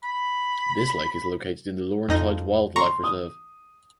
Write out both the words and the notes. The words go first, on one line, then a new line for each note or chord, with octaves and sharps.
This lake is located in the Laurentides Wildlife Reserve.
B5
F2 D#4 A#6
A#5 C6 C#6
D#6